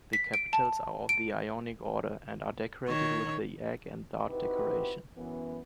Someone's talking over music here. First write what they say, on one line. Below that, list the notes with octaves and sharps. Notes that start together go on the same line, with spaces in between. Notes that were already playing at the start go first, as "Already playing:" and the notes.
The capitals are of the Ionic order and are decorated with the egg-and-dart decoration.
B6
D7
A5
D7
D#3 C#5
C4 D#4 E4 F#4 G4 B4
F#2 E3 B3